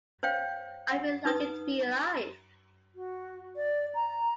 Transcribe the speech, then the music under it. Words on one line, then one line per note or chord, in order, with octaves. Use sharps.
I feel lucky to be alive.
C5 C#5 F5 G5
F#5
D#4 B4 D#6
F#4
D5
A#5